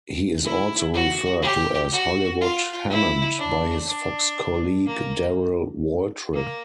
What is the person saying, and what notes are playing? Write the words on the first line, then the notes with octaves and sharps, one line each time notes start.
He is also referred to as Hollywood Hammond by his Fox colleague Darrell Waltrip.
E4
F#4
G4
F#4
F4
E4
D4
D4
A#3
A#3